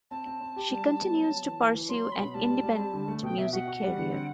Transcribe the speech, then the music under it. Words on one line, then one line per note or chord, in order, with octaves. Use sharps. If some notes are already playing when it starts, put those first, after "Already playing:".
She continues to pursue an independent music career.
C4 A5
C4
C4
G4
G3
G3
B3
F#3
F#3
E3
E3
E3
F#3 C6
F#3
B5
B2
G3 A5
G3
G3
C4
D3
A3
B2 G5
B2 E5
F#4 F#5
F#4
G3
D3
C4